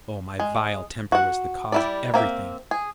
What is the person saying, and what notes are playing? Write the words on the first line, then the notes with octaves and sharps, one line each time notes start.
Oh, my vile temper was the cause of everything!
G#3
F#4 F#5
G3 E4 D5
A#3 C4 E5
G#4